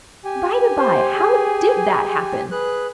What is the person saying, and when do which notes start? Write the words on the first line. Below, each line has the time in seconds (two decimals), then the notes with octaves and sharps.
By the by, how did that happen?
0.24 G4 G#5
0.77 C5
1.14 G#4
2.52 G#4 B4 F#6